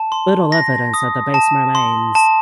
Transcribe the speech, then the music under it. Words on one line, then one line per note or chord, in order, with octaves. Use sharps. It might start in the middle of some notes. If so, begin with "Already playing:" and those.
Little evidence of the base remains.
Already playing: A5
C6
A#6
D#6
A5
C6
A5